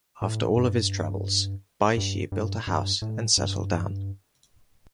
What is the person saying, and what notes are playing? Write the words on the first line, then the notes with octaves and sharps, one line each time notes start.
After all of his travels, Baishi built a house and settled down.
A2
G2
G2
G2
G2
A2
G2